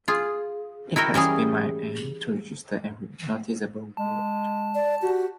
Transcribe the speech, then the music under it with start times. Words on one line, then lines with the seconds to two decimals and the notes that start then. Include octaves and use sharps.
It has been my aim to register every noticeable word.
0.08 F4 G#4
0.96 E4 F#4 A#4 E5 G5
1.14 E3 G3 C#4 G#4
3.97 G#3 A5
4.75 D5
5.02 F#4 G4